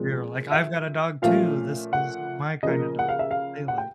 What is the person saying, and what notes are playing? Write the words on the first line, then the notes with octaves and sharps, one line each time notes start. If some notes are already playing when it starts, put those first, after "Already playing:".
Yeah, like, "I've got a dog too. This is w my kinda dog and what they like."
Already playing: A#2 F3 G#3 C4
E5
A#2 F3 A3 C#4 F5
F#5
C#3 F3 A#3 D#5
F#5
F5
E5
F5
F#5
G5